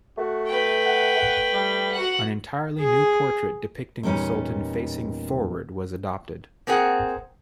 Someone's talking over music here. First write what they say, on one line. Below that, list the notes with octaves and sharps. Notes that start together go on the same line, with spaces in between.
An entirely new portrait depicting the Sultan facing forward was adopted.
A3 F#4
B4 G5
F#5
A3
G3
F#4 F#5
G#4
E2 A#2 G3 C#4 D#4
A#3 C4 G#4 F#5